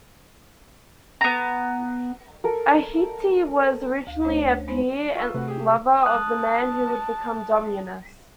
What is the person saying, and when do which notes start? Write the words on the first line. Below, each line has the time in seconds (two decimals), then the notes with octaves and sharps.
Ahti was originally a peer and lover of the man who would become Dominus.
1.21 B3 A#5
2.44 A4 A#4
4.07 D2 F5
4.25 A3 C#4 D4 C5 C#5
4.68 G#3 B3 C4 D#4 C5
5.15 F4 C#6 E6
5.34 C3 A3 F#4 B4
5.48 G4 G#4
6.03 A5 D#6 F#6